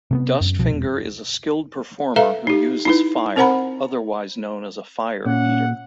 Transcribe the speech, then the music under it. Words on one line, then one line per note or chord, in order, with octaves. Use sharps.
Dustfinger is a skilled performer who uses fire, otherwise known as a fire-eater.
C3 A#3 B3
F#2
C2 B2 F3
E1
A4 B4 E5 F5 A#5
D#4 G4
D#4 E4 B4
C4 A#4 C5 F#5 A#5 B5
A#2 C#4 F#5